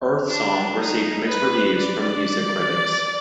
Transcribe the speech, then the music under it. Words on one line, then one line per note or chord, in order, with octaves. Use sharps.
"Earth Song" received mixed reviews from music critics.
D4
D#4
B4
D5